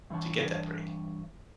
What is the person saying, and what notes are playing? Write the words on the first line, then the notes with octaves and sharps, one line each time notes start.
to get that break?
G2 E3 D4 C#5 A5